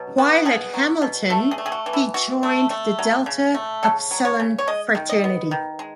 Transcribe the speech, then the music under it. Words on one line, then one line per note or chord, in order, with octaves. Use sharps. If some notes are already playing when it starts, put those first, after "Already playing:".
While at Hamilton he joined the Delta Upsilon Fraternity.
Already playing: B2 F#3
B3
B2 G#4
F#3
B2
A3 A4
G#4
A3
G#4
F#4
E3
E4
E3 F#4
A3
A3
F#3
C#3
A3
C#3 A4
F#3
C#5
C#3
C#5
G#3 D#5
D#3
D#5
B3
D#3
G#3